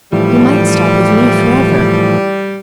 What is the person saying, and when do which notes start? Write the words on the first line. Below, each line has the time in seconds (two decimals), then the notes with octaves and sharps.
You might stop with me for ever.'
0.12 A2 E3 F3 G3